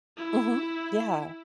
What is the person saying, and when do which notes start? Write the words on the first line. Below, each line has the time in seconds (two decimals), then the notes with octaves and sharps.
Mhm. Yeah.
0.17 E4